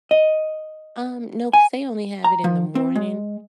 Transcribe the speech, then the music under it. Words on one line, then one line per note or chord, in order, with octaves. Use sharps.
Um, no, 'cause they only have it in the morning.
D#5
G#5
A#5
F3
C4
G#3